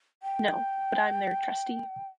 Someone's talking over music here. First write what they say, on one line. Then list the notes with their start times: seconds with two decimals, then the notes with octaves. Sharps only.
No, but I'm their trustee.
0.23 G5